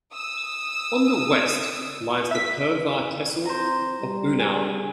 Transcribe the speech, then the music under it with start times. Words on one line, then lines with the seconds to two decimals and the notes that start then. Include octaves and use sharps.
On the west lies the Purwa tehsil of Unnao.
0.13 D#6 E6
2.31 E5 B6
3.45 C4 C5 A#5
4.00 G3
4.40 G#4